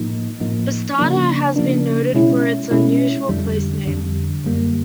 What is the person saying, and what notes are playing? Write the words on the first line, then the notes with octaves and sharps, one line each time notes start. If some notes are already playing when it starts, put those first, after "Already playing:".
Bastardo has been noted for its unusual place name.
Already playing: A2 F3 A#3 D#4
A2 F3 A#3 D#4
C#3 F3 A#3 D4
C#3 F3 A#3 D4
B2 G#3 C#4 E4
B2 G#3 C#4 E4
F2 D3 G3
F2 D3 G3
F#2 D3 G3 A#3